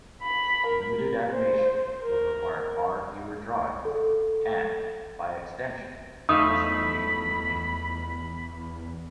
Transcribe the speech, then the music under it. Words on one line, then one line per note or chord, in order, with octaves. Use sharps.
Limited animation would require far fewer drawings, and, by extension, less inking and painting.
B5
A#4
C5
A#4
A4
E2 F3 A3 D#4 B5 D#6